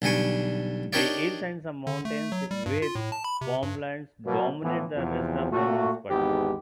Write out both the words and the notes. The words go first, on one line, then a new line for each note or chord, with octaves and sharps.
The hills and some mountains with farmlands dominate the rest of the municipality.
B1 D3 G3 G#5 C#6
D4 D#4 G4 A#4 C#5 D5
D3
A3
F#3
G3
G2
F4
A2
A5
B5
C3
G2
B2 F#3 A#3
A2 E3 F3 B3
E2 C3 F3
A#2 A3 F#4
G#1 E2 G#3 B3 D#4 G4